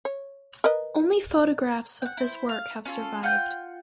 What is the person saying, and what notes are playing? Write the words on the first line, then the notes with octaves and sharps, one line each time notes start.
Only photographs of this work have survived.
C#5
A#4 B4 D#5
F#5 G5
E4 C5
F5
C#4 F4 A4
F4 F#5 G5 G6